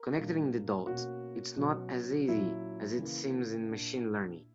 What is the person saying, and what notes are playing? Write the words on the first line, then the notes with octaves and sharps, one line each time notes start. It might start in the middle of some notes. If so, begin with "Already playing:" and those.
Connecting the dots, is not as easy as it seems in machine learning.
Already playing: A#4
A#2 G3 A#3 D4
B2 A#3 C#4 F#4
B2 F#3 C#4
A#2 F#3 C#4 E4
C#3 E3 A#3
A#2 A#3 D4